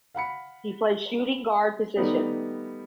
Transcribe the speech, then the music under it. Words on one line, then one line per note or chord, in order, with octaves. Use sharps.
He plays shooting guard position.
F5 F#5 B5 C#7
D#3 G3 A3 B3 D#4